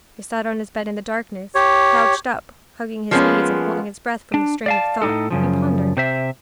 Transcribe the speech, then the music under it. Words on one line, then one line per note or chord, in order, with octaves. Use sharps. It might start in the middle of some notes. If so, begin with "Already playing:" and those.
He sat on his bed in the darkness, crouched up, hugging his knees, and holding his breath from the strain of thought, he pondered.
G4 C#5
F3 G#3 A#3 B3 C#4
D4
D5 F5 A5
A2 D#4 A4
F#2 C#3 F3
C3 C5 E5